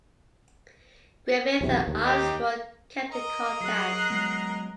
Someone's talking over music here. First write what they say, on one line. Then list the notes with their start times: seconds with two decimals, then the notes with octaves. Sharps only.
Griffith and Armstrong kept in contact.
1.61 B1 E2 C3
1.88 D#2
2.05 D#4 G4
3.11 A#4 D#5 A#5
3.60 F#3 G#4 F#6 C7
4.10 F#3 G#3 B3